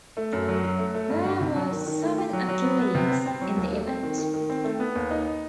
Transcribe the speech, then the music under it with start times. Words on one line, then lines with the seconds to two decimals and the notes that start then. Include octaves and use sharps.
There were seven athletes in the event.
0.17 A3
0.33 F#2
0.48 F#3
0.64 F#3
0.79 A3
0.94 A3
1.10 G2
1.25 G2
1.41 C3
1.56 F#3
1.71 D#3
1.86 D#3
2.02 A3
2.18 G4
2.33 F#3
2.49 F#3
2.64 B3
2.79 B3
2.95 C3
3.10 C4
3.26 C4
3.41 F#3
3.56 D#2
3.72 A3
3.87 C4
4.03 D#3
4.18 D#3
4.34 D#3
4.50 C4
4.64 A3
4.80 B3
4.95 D#2
5.11 D#4